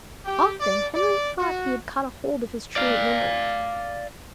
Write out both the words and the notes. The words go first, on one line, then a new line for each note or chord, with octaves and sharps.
Often Henry thought he had caught hold of his truant memory.
G4
D5
D5
F#4
D5 F5